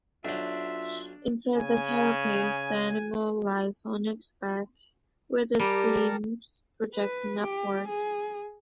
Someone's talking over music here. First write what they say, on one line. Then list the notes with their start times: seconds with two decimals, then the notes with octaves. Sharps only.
Inside the carapace, the animal lies on its back, with its limbs projecting upwards.
0.25 B1 F#3 D4 F4 E5
1.57 C#3 G#5
5.59 G3 G4 A#4 A5
6.95 B4
7.41 G4
7.88 G#4